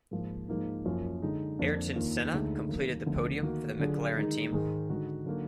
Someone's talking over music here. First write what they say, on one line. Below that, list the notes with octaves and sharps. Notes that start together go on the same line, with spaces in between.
Ayrton Senna completed the podium for the McLaren team.
G#2 F3 A#3
G#2 F3 A#3 D#4
F#2 F3 A#3 F4
D3 G#3 D#4
F2 F3 A#3 D4
D#2 D#3 A#3 D4 F4
D2 D3 G#3 D#4 G#4
D#3 F#3 A#3
D2 D3 F3 B3
D#3 A#3 D#4 F#4
D3 F#3 D4 F4 G#4
D#3 G#3 D#4 G#4
G#2 D#3 G#3 D#4 G#4
D3 G#3 D#4 F#4
D3 F#3 A#3 D#4 F#4